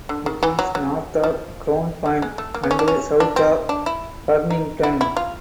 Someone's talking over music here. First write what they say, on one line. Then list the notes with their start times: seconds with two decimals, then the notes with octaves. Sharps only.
It is north of Crownpoint and south of Farmington.
0.09 D3
0.26 D#3
0.43 E3
0.59 F#3
0.75 F#3
1.24 F3
2.06 G3
2.22 G#3
2.38 A3
2.54 A#3
2.63 B3
2.71 C#4
2.79 D4
2.88 C#4
3.20 D4
3.36 C4
3.69 D4
3.86 E4
4.50 D#4
4.83 E4
5.01 E4
5.17 F4